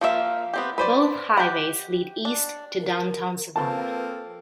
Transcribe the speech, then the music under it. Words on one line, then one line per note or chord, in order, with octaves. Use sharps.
Both highways lead east to downtown Savannah.
F3 A#3 B3 E5 F5
B3 C4 G4
B4 C5 D5
G4 F#5
D4
A#4
F3 A#3 C4 A4 B4 A5